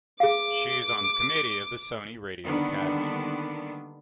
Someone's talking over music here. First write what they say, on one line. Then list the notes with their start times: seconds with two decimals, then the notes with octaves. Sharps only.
She is on the committee of the Sony Radio Academy.
0.20 G#4 F5 D6
2.45 D3 D#3 G3 A#3 B3 D4